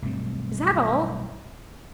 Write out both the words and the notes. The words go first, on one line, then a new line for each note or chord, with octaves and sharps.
"Is that all?"
B1 G2 A3 C4